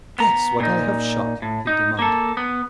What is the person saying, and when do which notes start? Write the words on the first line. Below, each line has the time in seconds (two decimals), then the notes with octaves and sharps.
"Guess what I have shot," he demanded.
0.19 B3 A#5
0.60 A#2 D#4
1.42 A2
1.67 D#4
1.99 A#3 A4
2.37 B3